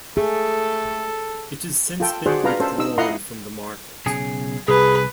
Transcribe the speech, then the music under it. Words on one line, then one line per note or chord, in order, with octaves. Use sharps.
It has since been withdrawn from the market.
A3 G#4 A4
F4 A4 G5
F#4 G#4 C5 D5 F#5
D4 F4 B4 F5 A#5
C#4 A4 C5
D#4 E6
E4 F4 D#5 F#5 A#5 C6
B1 C#3 G#4
C2 G#4 B4